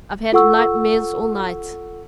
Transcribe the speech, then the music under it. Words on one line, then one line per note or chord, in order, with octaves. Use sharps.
"I've had nightmare all night!"
F4 A4 F#5 C#6 E6